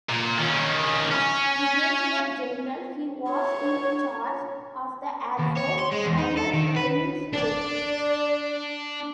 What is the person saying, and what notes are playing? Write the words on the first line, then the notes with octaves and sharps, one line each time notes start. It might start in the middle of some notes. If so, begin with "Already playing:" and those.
As Brigadier General, he was in charge of the Air Force Pilots Training School.
A#2
D#3 C#4
C#4
C#5
D#2
C#5
C6
G#3
E2
D#4
A4
D#3
B4
D4 D5